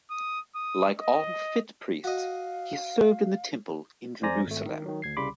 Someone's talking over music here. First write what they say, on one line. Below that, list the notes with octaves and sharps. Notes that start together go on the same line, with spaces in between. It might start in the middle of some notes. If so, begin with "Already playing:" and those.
Like all fit priests, he served in the Temple in Jerusalem.
D#6
D#6
D#5
F#4 D#5 F5
F2 C5 D5 G#5 A#5 A#6
G#1 A3
D#3
D#3 F#3
D2 G#6 C7
C2 C#3 G3 B5 C6 D6